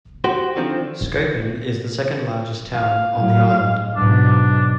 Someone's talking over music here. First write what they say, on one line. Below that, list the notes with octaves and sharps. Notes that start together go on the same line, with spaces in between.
Skopun is the second-largest town on the island.
F#4 G4 C5
D3 D#3 F3 C4
F5
A2 F#3
G#3
B1 G#2 D4